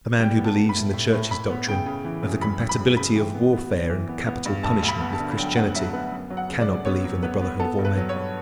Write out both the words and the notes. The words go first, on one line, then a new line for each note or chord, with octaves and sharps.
The man who believes in the Church's doctrine of the compatibility of warfare and capital punishment with Christianity cannot believe in the brotherhood of all men.
G3 G5
B3
A5
B3
B5
A2
A2
A2
A2 B5
B3
C#3 G5
C#3
E3
F#2
F#2 B5
F#2
B5
F#2
C#3 B5
E3 G5
B3
B3
B3
E3
B3
B3
G2
D2 A5
D2
B5
B3
A5
D3
F#3 G5
B3 F#5
F#3 E5
B3 B4
F#2
F#3
F#5
C#3
D5
F#2
B3 C#5
F#3
B3 B4
B3
B3 A4
G2
B4
F#3
C#5
G2